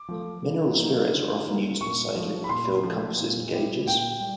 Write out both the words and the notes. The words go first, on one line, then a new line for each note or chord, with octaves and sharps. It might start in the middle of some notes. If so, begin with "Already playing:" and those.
Mineral spirits are often used inside liquid-filled compasses and gauges.
Already playing: D6
F3 A3
D3
F#3 A#3 D#4
D3
F#3 A#3 D#4
A#2 C#6
F3 A3
B5
A#2 C6
F3 A3
A#2
G3 B3 E4
A#2 G5
G3